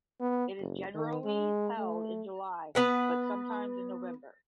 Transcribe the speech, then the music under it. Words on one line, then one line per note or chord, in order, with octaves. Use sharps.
It is generally held in July but sometimes in November.
B3
F#1
D#3
G#3
A3
B3 B4 F#5